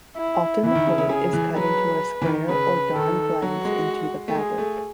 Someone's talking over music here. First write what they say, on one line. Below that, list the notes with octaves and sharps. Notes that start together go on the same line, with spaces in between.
Often the hole is cut into a square or darn blends into the fabric.
E4
E3 E4
D#3
C#3
C#3
C#3 G#4
E3
F#3 B4
E3
D#3
C#3 B4
D#3 A4
F#3 F#4
G#3
A3
G#3 G#4
A3